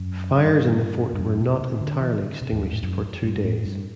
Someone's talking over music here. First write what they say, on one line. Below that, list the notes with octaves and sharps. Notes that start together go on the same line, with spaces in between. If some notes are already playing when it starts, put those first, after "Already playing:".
Fires in the fort were not entirely extinguished for two days.
Already playing: F#2
G2
G2
F#2
B2
C3
D3
E3
D3
C3
E2
F#2
A2
F#2
G2
A2
G2